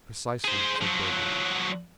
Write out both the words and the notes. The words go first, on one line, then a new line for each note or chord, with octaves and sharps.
"Precisely," said Burger.
G#4 C5
F3 F#3